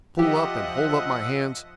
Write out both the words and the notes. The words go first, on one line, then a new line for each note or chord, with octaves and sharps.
Pull up and hold up my hands?
F3 G4 D#5 E5 F#5